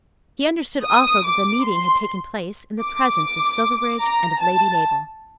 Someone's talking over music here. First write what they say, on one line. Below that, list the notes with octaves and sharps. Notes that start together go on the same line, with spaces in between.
He understood also that the meeting had taken place in the presence of Silverbridge and of Lady Mabel.
D#6
D6
C6
D6
A#5
A5